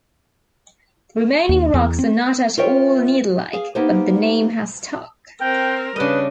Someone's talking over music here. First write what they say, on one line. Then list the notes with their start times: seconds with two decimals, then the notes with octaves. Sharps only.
The remaining rocks are not at all needle-like, but the name has stuck.
1.49 D#2
1.74 E2
1.99 C4
2.57 F4 A#4 C5 C#5 E5 G5
3.53 G#4 F5
3.75 A#3 B3 D#4 G4 C5
5.41 C4 A#4 G5
5.96 C#3 G3 D4 B4 D#5